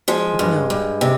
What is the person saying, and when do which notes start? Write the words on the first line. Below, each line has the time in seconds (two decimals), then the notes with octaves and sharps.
But no.
0.08 F3 G#3
0.39 G2
0.70 G2
1.01 C3